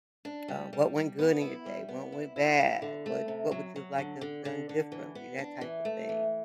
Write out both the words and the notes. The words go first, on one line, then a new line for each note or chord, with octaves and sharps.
Um, "What went good in your day? What went bad? What what would you have liked to have done differently?" That type of thing.
D4
G3
G3
G3
B3
E4
G3
B3
E4
E4
E4
D3
A3
C3
F#3
F#3
D3
D3
D3
D3
E3
B3
D4
E3
A3
E3